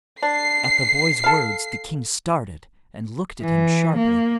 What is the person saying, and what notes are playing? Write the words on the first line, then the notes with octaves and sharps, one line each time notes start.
At the boy's words the king started and looked at him sharply.
D4 C7
A4 F5
E3
A#3